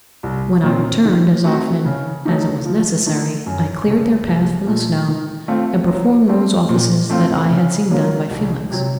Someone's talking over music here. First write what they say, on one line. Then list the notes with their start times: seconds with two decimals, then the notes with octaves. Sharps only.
When I returned, as often as it was necessary, I cleared their path from the snow and performed those offices that I had seen done by Felix.
0.23 C2
0.63 A#2 F#3 C4
1.05 D#3
1.44 A3 C4 F#4
1.85 C#3
2.25 F#3 A3 D#4
2.65 F3
3.06 A3 D#4
3.46 F#2
3.87 C#3 A3
4.27 C2
4.67 A#2 A3
5.08 D#3
5.48 A3 C4 F4
5.88 F#3
6.28 A3 C4
6.69 A#2
7.10 A3 C4 F4
7.50 C#3
7.90 F#3 A#3 C#4 F4
8.30 C2
8.71 C3 F#3